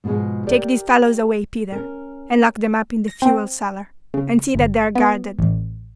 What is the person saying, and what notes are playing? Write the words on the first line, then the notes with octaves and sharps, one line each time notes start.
Take these fellows away, Peter, and lock them up in the fuel-cellar, and see that they are guarded.
G#2 B2 D3 F3 G#3
G4 A#4 D5
C#4 A#4
A#6
C4
C#3
G1
B3
A1